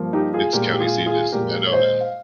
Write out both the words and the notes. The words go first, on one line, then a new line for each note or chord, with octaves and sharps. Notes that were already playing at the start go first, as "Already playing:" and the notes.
Its county seat is Mahnomen.
Already playing: G2 F3 A#3
D#4 G4
F4 G#4
A#2 G#3 G4 A#4
G4
F4 G#4
F4 G#4
A#2 G#3 G4 A#4
C#5
C5 D#5
F5